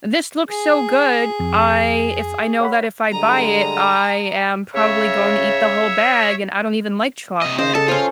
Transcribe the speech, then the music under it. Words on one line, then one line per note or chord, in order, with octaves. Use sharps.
this looks so good, I if I know that if I buy it I am probably going to eat the whole bag, and I don't even like chocolate.
G#4
F2
C#5 F#5 B5
D3 G3 G#3 A#5 D#6
C#3 C#5 E5
C3 D#5
C#3 C5 D#5
A4 A5
C#4 F4 C5